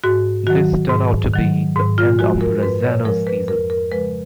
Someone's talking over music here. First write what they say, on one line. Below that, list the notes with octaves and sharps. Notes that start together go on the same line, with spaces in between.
This turned out to be the end of Razzano's season.
G#2 F#4
D#3 F#3 F#4
G#2
D#3 F#3
G#2
F4
F3 G#3 F#4
A#4
G#2 B4
C#5
F3 G#3 A#4
B4
F2 A#4
A#4
C#3 F3 G#3 B4